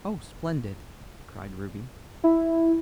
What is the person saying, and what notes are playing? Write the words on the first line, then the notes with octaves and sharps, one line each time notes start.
"Oh, splendid," cried Ruby.
E4